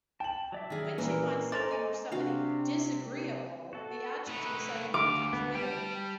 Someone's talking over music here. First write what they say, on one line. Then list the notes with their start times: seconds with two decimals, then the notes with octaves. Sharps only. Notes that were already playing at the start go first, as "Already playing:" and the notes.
When she finds something or somebody "disagreeable," the adjective suddenly becomes withering.
0.20 G5 A5 F#7
0.52 F#3 D5 E5
0.70 D#3 G#4
0.98 A#2 E3 A#3 C#4 A#4 A#5
1.52 A4 C5 A#5 D6 A6
1.71 D#5 G#5
2.12 C3 D4 F#4 F5
3.12 C3
3.73 F#4 A4
4.28 A3 D#4 B4
4.94 D2 F5 D6
5.33 B3
5.55 G3 G5 A5